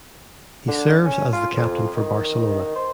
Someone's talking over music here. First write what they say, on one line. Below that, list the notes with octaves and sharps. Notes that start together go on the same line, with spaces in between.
He serves as the captain for Barcelona.
D3
C#4
F4
F2
D#3
C5